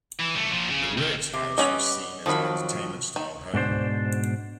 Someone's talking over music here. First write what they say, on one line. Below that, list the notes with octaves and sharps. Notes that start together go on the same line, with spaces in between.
The Willits House was seen as an entertainment-style home.
E3
C2 A3
A#2 F3
C#3
D#2 D#3
C3
G3 B3 C#4 D#5
F2 D#3 F3 F#3 B5
D#3
G#2 B2 D4 C5